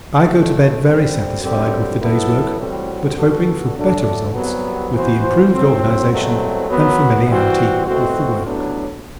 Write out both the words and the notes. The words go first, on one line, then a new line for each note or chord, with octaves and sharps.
I go to bed very satisfied with the day's work, but hoping for better results with the improved organisation and familiarity with the work.
B1 B2 A3
D3 G3 C4
F#2 D3 G3 C4 G4
F#2 F#3 B3 E4 A4
A2 E3 G3 C4 F#4
D3 G3 B3 F#4 A4
D3 F#3 A3 D4 A4
C2 C3 F#3 B3
E3 B3 F#4 C5
A2 F#3 C4
C2 B2 F#3 A3 C4
F#2 F#3 B3
E3 G3 C4 F#4
C2 B2 A3 C4 F#4
A1 A2 F#3 B3 D4